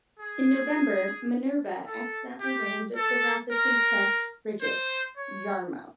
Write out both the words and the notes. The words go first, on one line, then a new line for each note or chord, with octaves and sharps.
In November, "Minerva" accidentally rammed the "Rothesay"-class frigate "Yarmouth".
G#4
A4
G4
A4
A#4
C5
C#5